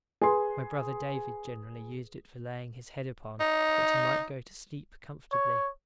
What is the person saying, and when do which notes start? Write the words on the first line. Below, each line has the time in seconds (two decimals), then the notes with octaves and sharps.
My brother David generally used it for laying his head upon, that he might go to sleep comfortably.
0.21 G#4 B4 C6
3.40 D#4
5.32 C#5